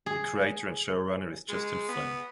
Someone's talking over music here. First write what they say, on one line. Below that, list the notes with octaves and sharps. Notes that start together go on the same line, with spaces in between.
The creator and showrunner is Justine Flynn.
G#4
G#3
B3